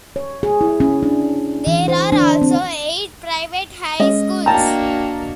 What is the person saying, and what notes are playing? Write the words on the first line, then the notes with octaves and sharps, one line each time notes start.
There are also eight private high schools.
C#5
G#4
E4
C#4
D4
E3
C5
D4
C4
G#3 C#4 D#5
A#3 D4 F#4 G5 A5 A#5